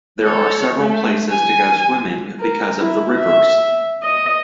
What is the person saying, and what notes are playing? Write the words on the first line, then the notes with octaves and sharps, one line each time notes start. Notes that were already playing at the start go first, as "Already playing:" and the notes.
There are several places to go swimming because of the rivers.
A4 C#5
A3
G#5
A#4
E4
E5
D#5